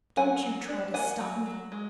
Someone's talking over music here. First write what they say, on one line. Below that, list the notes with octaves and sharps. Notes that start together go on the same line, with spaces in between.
Don't you try to stop me!
F#3 F#5 G#5
F#3
D4
A#3 F#5 G#5
F#3
F#3
G#3